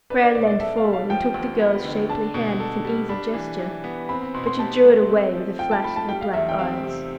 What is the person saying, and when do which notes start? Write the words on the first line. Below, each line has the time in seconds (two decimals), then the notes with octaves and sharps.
Frere leant forward and took the girl's shapely hand with an easy gesture, but she drew it away, with a flash of her black eyes.
0.10 D4 B4
0.23 D5
0.35 B2 D5
0.47 D5
0.60 A4 E5
0.77 F5
0.84 G3
0.93 F5
1.10 F3 G5
1.34 D2
1.60 B3
1.84 D3
2.09 D4 A5
2.34 B2
2.60 A4
2.85 G3
3.09 D4 B5
3.34 E3
3.59 E3
3.84 B3
4.09 C4 B5
4.22 B5
4.34 B2 C6
4.47 C6
4.59 G4 A5
4.84 A3
5.08 C4
5.34 F3
5.59 F4 G5
5.71 A5
5.84 A3 B5
5.96 A5
6.08 G3 G5
6.21 F5
6.33 E2 E5
6.49 G5
6.59 C4 F5
6.84 C3